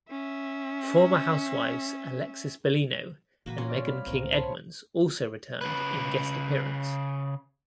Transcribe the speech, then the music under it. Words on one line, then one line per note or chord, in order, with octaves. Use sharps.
Former housewives Alexis Bellino and Meghan King Edmonds also returned in guest appearance.
C#4 E5
A#2 E3 A#3 F#4 B4
C#4 C6 C#6
D5
G3 F5 B5
C2 A2 C4 A#4 C#5
C#5 A5 B5 C6
C#3 B4